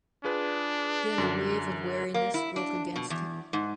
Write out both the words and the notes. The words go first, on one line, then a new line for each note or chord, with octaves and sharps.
Then a wave of weariness broke against him.
D4 F4 G#4 B4
F#2 D3
A#3
E4
D4
B2
E2
G#2